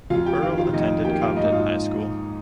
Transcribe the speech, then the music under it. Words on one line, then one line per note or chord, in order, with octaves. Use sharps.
Earle attended Cobden High School.
F2 F4 F5
G4 G5
D#3 F4 F5
F4 F5
F2 D#4 D#5
A#3 G4 G5
F4 F5
G#2 D#4 D#5
F4 F5